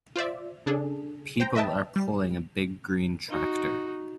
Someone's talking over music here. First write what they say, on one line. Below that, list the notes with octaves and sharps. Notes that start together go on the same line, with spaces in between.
People are pulling a big green tractor.
F4 C5 D5 E5
C#3 D4 G#4 A4
C5 G5 A#5
B4 D#5 E5 G5 A5
G3
D#4 F#4